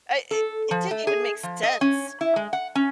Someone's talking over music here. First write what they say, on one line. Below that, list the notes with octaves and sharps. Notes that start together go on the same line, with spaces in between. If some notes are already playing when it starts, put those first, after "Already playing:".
I it it didn't even make sense.
A4
F3
A3
G#4
F3
D#5
C#4
E4
G#3
F#5
C#4